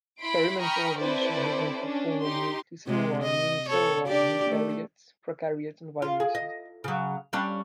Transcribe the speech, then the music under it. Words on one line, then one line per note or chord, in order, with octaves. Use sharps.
Experimental evolution has been performed on multicellular and unicellular eukaryotes, prokaryotes, and viruses.
E4 B5 C6 D7
G5 A#5 B5 C#6 D#6 F6
C4 E4 A4 B4 C5 D5
C#4 D4
D#4 G4 C6
C3 G#3
D#5
A4 C#5
D4 G4 D5
A3
F4
G#4
D#5
C#3 F#3
G3 C#4 D4